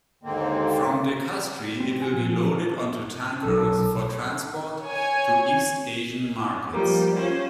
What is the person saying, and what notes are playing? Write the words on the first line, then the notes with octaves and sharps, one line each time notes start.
From De-Kastri it will be loaded onto tankers for transport to East Asian markets.
D#2 G#2 D3 A#3 C4
C4
F#4 G#5
A#2 F3
B1 A4
C#5 G#5
F3 G3 A#3
C#4 F4 C5